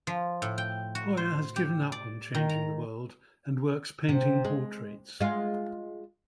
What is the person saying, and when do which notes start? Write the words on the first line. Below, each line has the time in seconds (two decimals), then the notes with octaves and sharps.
Hoyer has given up on changing the world, and works painting portraits.
0.07 F3
0.42 A2
0.58 G5
0.95 F#4
1.17 C5
1.56 G4
1.92 D5
2.35 D#3
2.49 A#5
4.09 C3
4.44 G#3
5.21 G#3 F4